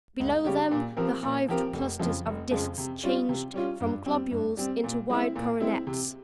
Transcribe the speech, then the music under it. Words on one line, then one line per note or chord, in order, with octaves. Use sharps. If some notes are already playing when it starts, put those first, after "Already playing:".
Below them the hived clusters of disks changed from globules into wide coronets.
C#2
C#3 G3 C#4 G4
A#2
F3 C4 G4 A#4
A#2
F3 C4 G4 A#4
F1
F2 C#3 F3 G#3
F1
F2 C#3 F3 G#3
C3
G3 C#4 F4
C3
G3 C#4 F4
G2
G3 C4
G2
G3 C4
A#2
G#3 C4 E4
A#2
G#3 C4 E4
C3